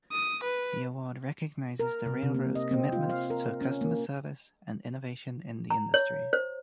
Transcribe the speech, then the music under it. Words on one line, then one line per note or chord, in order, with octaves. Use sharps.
The award recognizes the railroads' commitments to customer service and innovation in the industry.
D#6
B4
A#4
C3
C3
A#3
D#5
C4
F4
F5
A#4
C#4
A#3
A#5
C#5
C5